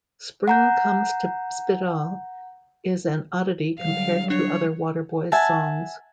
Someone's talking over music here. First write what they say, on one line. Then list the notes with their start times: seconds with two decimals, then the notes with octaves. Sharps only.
"Spring Comes to Spiddal" is an oddity compared to other Waterboys songs.
0.48 F#5 A#5 G6
3.80 D3 F#3 G3 F5
4.30 D4 C#5
5.32 E5 F#5 G#5 A5